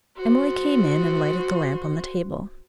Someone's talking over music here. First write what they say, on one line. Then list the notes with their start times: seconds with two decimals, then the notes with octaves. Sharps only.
Emily came in and lighted the lamp on the table.
0.17 F#4 C5